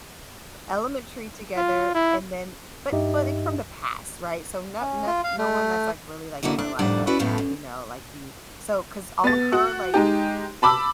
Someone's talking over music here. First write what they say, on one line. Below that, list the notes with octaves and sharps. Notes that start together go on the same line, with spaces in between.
elementary together and then but but, like, from the past right so no not no one that's, like, really, like, in my life like that, you know, like, we so cause all of her, like,
F4
E4
G2 D#4 G4 D#5 E5
C#4
F4
F5
A3
D3 A#3 E4 F#4 D#5
D4
F2 A2 D#3 G3 D4 F#5
C#4 E4 F#4 B4 D5 E5
F#2 A2 A3 B3 F5
F#2
B3 A6
F#4
G#3 D#4 G4
A5 B5 D6 E6